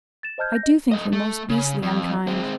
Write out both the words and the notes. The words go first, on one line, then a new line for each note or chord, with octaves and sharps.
I do think you're most beastly unkind.'
A6 E7
C5 D#5 A5 F6 G6 G#6
G6 A#6
D#5
A3 D#5
A3
C#3
F2
G#3 C4